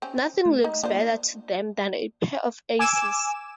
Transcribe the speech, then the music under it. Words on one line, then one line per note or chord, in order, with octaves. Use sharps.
Nothing looks better to them than a pair of aces.
C4 C#4
A3
D#4
A#3 D4 F4 C5
G#5 D6 E6 E7